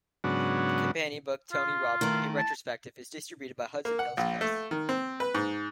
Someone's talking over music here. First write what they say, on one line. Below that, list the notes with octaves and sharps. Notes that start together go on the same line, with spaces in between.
The companion book "Tony Robbin, A Retrospective" is distributed by Hudson Hills Press.
G#2 C#3 F#3 B3 D4 F#4
F4
D#3 A3
A5
A#3
F#5
A#1
A3
D#3
C4
B4
G#2